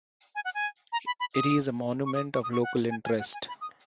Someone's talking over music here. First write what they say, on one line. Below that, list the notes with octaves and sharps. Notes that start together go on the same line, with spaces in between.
It is a monument of local interest.
G#5
F#5
G#5
A#5
B5
B5
D#6
C#6
D#6
C#6
D#6
C#6
F#5
G#5
G#5
F#5
G#5
B5
D#6